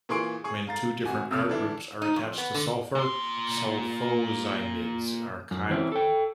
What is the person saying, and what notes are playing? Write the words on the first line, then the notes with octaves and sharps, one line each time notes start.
When two different R groups are attached to sulfur, sulfoximides are chiral.
A#2 E3 G#4 C6 C#6 D7
G#4 C#6
F5 A#5 A6
G#1 F#4 G#5
F2 C3 E6 F6
D3 E3 D4 E4
D#4
F2
B3
D3
A#2 C6
F#2
E3 C4 C#4 E4
A4 G5